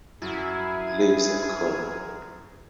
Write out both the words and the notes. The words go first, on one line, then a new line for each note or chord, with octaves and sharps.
He lives in Khulna.
F#2 E4 G#4